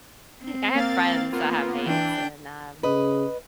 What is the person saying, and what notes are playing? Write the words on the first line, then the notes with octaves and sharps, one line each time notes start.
I have friends that have maids, and, um
C4
A#3 F5 A6
A#3 B3 F4
E3 D4 G5
C#3 B4 D#5